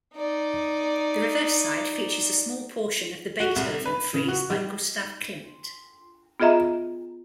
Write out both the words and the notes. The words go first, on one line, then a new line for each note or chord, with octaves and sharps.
The reverse side features a small portion of the "Beethoven Frieze" by Gustav Klimt.
D#4 D5
F#4
C2
B4
C#3
F#4
G3
B3 F4 G#4 D#5 E5 A#5